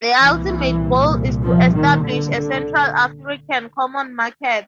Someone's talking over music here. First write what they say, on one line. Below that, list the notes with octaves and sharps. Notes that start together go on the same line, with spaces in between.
The ultimate goal is to establish a Central African Common Market.
C2 A#2 E3
F3
D#3
D3
D3